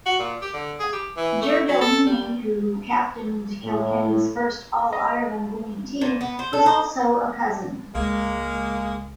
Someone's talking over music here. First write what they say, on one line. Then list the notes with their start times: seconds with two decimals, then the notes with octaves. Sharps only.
Jer Doheny, who captained Kilkenny's first All-Ireland winning team, was also a cousin.
0.06 F#4
0.19 A#2
0.41 G4
0.53 D3
0.79 G#4
0.92 G4
1.16 E3
1.41 A3
1.68 F#3
1.81 A4
2.06 G3
3.64 A2
4.93 D#5
6.01 A#2
6.21 B3
6.39 C5
6.53 A4
6.66 C5
7.95 C#2 G#3 A#3